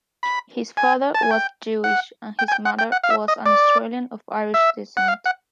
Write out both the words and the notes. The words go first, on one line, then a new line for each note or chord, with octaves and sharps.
His father was Jewish and his mother was an Australian of Irish descent.
B5
G#5
A5
G#5
G5
F#5
G5
G#5
G5
F#5
G5
F#5
F5
E5
D#5
D5
E5
F#5
F5
F#5